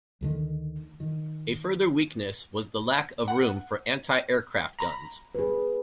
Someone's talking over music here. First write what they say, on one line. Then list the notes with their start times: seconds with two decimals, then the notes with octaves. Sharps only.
A further weakness was the lack of room for anti-aircraft guns.
0.21 D2 D3 D#3
1.00 D#3
3.28 F#5
4.79 A#5 B5 A#6
5.35 G#4 B4